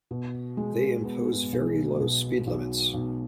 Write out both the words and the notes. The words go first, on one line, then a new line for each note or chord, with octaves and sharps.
They impose very low speed limits.
B2
G#3
B3
B1
B2
B1
B1